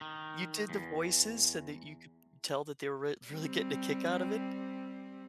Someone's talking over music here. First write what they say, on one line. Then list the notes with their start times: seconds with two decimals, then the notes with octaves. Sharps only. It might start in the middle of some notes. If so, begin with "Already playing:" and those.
You did the voices so that you could tell that they were re really getting a kick out of it?
0.01 D#3
0.70 E2
3.28 G3 C4